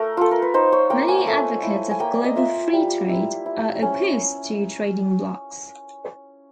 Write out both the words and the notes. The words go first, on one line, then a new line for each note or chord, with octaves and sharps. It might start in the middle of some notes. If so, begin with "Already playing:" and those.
Many advocates of global free trade are opposed to trading blocs.
Already playing: A3 A#4
F4 A4
A#4
B4
D#4 C5
C#5
A#3 G5
G#5
A3
E4
G#5
A#3 G5
D5
D#5
F4 E5
G3
E4
E4
C#4